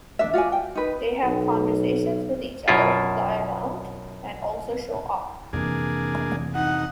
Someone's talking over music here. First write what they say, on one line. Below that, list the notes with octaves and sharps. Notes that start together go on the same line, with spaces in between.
They have conversations with each other, fly around and also show off.
D4 E5
F4 F#4 D5 G#5
G5
D#4 B4
B1
F#2 B2 E4 F4
F2 C3 E3 A#3 D4 G#4
D#4 F#5